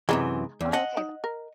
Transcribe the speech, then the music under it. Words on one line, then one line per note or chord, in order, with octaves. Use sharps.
Oh, okay, tha
F#2 C3 E3 G#3 D#4
E2
D#5 F#5 A5
D#4
A#4